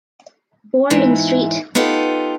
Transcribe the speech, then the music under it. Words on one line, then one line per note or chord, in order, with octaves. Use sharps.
Born in St.
G#2 E3
B3 D#4 F4 G4 A4